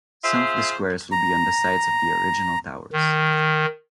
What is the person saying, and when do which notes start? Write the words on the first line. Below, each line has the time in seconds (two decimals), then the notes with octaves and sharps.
Some of the squares will be on the sites of the original towers.
0.24 F4 G#4 C5 E5
1.12 A#5
2.93 D#3